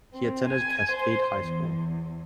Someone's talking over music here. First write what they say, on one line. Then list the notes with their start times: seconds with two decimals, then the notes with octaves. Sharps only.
He attended Cascade High School.
0.14 C4
0.47 G#5
0.91 C5
1.36 E2